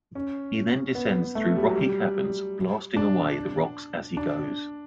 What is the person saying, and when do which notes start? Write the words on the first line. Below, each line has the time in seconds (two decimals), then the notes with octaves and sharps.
He then descends through rocky caverns blasting away the rocks as he goes.
0.15 C#4
0.95 B3
1.35 A3
1.56 G3
1.65 F#3
1.76 G3
2.97 D4
4.17 D4